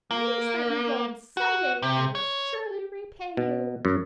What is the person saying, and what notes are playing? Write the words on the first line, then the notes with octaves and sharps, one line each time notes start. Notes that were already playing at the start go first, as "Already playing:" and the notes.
"Please let me go and some day I will surely repay you."
A#3
F#4
C3
C#5
B2
F#2